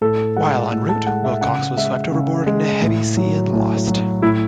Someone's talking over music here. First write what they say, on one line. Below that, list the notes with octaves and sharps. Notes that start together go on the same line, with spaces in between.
While en route, Wilcox was swept overboard in a heavy sea and lost.
A2 A4
G#3 F#5
A2
A5
G#3 F#5
E5
C#3 F#5
G#3 E5
C#3
G#3
A2
F#3
A2
F#3
A2 E4